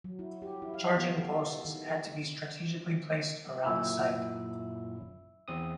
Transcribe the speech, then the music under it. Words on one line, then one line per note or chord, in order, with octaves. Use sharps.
Charging posts had to be strategically placed around the site.
F#3
E4
G4
E4
F5
B3
A4
D#3
F#2 A#2 E4 E5 E6
E2 C4 D#6